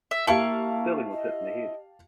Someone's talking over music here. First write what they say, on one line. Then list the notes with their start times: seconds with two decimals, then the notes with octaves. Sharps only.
Sterling was hit in the head.
0.11 E5
0.27 A#3 E4 G4 F5 A5 C#6
1.12 D#5